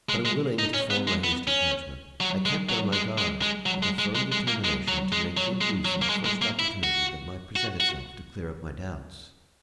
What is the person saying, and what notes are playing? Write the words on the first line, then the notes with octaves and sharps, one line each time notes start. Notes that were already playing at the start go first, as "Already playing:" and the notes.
But, unwilling to form a hasty judgment, I kept on my guard, with a firm determination to make good use of the first opportunity that might present itself to clear up my doubts.
G#3
G#3
D#4
C#4
B3
G#3
B3
C#4
F#3
G#3
F#3
G#3
G#3
G#3
F#3
G#3
G#3
G#3
G#3
A#3
G#3
F#3
G#3
F#3
G#3
F#3
A#3
G#3
G#3
A#3
E4
F#4
F#4
F#4